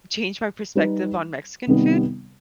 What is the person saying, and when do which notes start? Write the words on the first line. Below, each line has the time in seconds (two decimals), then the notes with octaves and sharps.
changed my perspective on Mexican food,
0.75 G3 D#4 G4 B4
1.67 C3 D#3 G3 B3 D#4